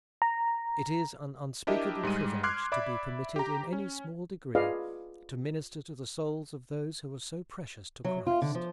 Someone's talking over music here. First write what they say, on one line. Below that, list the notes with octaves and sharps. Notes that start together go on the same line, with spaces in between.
It is an unspeakable privilege to be permitted in any small degree to minister to the souls of those who are so precious to Christ.
A#5
D4 E4 G4 A#4 D#5 E5
G#2 G3 G#3 D#7
C6 D6 F6 F#6 G#6 C7
D5 E5 B5 D6
G4 A#5
C#4
F4 G#4 B4 D5 D#5 F5
F#3
F4
D3
F3